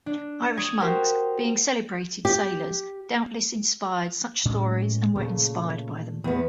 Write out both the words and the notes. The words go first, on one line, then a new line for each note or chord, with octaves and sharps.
Irish monks, being celebrated sailors, doubtless inspired such stories and were inspired by them.
D4
C#6 D#6 G#6
F#4 G4 A#4 C5
G4
A2 G#3 C#4
A#2 C#3 A3
E2 B3